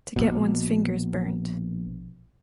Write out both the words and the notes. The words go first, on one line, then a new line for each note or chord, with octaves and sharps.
To get one’s fingers burnt.
A#1 B2